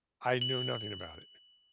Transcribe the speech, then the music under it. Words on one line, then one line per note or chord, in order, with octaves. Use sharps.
I know nothing about it.
F#7